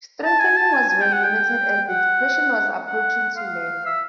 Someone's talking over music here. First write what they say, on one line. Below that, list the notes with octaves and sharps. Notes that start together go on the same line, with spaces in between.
Strengthening was very limited as the depression was approaching to land.
A5
G#5
A5
G#5
G#5
G5
F#5
G5
F#5
F#5
F5
E5